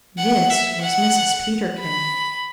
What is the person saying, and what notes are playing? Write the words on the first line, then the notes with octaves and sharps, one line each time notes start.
THIS was Mrs. Peterkin.
F#5
E5
F#5
B5